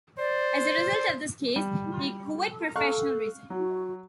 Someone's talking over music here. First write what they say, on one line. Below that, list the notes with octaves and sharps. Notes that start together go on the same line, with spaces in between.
As a result of this case, he quit professional racing.
C5 D5
G3
A4 F5 C#6 F#6
F#3 F#4